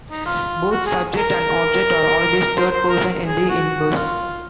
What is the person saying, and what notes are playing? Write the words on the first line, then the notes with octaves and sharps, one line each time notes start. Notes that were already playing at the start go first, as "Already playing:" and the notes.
Both subject and object are always third-person in the inverse.
D#4
F4
F#4
G#4
A#4
C5
C5
A#4
G#4
F#4
F4